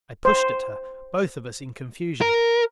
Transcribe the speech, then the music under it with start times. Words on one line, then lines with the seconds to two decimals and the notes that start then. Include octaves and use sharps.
I pushed at her, both of us in confusion.
0.25 C5
2.21 A#4